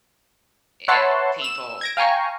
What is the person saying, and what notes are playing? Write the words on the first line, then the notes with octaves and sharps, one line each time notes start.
eh, people, eh
B4 C#5 E5 F#5 A5 C6
E6 E7
G#6 A#6 D7
F5 G5 G#5 A#5 C#6